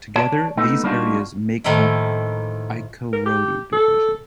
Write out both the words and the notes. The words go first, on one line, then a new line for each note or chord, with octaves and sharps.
Together these areas make up Ikorodu Division.
C#5 D5 A5
A3 B3 D#4
G3 A#3 D4 D#4 F4 F#4
A2 D#3 F3 A#3 E4
A#4
G4
A4